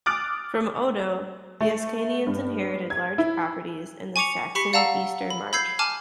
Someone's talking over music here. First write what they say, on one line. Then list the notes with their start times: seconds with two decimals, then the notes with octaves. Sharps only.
From Odo, the Ascanians inherited large properties in the Saxon Eastern March.
0.06 D6 D#6 F6 F#6 A6 D7
1.61 A3
2.27 G2
2.90 G#6
3.18 E4
4.16 G#5 C#6 D6 C#7 F7
4.55 G4 B5 C#6 B6 C#7
4.73 D5 F5 F#5 A5 A#5 E6
5.30 B5
5.53 B5 E6 G6 G#6 C7
5.79 G#5 A5 D6 F6